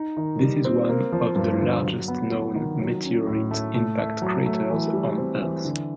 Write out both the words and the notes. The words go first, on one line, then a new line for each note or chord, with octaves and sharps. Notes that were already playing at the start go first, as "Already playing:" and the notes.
This is one of the largest-known meteorite impact craters on Earth.
Already playing: D#4
D#3
G3
C4
A#3
F3
G2
D3
F#3
B3
B3
D#3
F#3
C#4
A2
A3
A3
A3
F#3
A3
E3
G3
C4
E3
D3